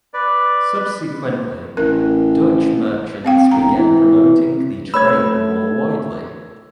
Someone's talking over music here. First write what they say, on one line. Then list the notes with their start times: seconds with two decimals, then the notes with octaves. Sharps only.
Subsequently, Dutch merchants began promoting the trade more widely.
0.14 B4 D5
1.77 A1 A#4
3.25 C4 F5 G5
3.52 E1 A#5
3.75 E3
4.94 A3 B4 C#5 B5 E6 G#6